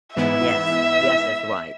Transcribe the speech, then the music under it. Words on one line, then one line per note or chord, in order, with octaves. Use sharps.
Yes, yes, that's right.
G#2 E3 B3 E4 E5